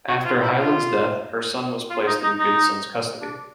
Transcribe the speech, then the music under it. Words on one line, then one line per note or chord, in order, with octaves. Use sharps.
After Hyland's death, her son was placed in Goodson's custody.
F#4
F4
E4
F4
F4
D#4
D#4
D#4
D4